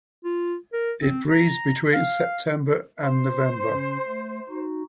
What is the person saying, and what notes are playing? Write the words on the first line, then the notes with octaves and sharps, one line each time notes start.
It breeds between September and November.
F4
A#4
C4
A#5
F5
C5
C#3 C#4
A3
D#4 F#4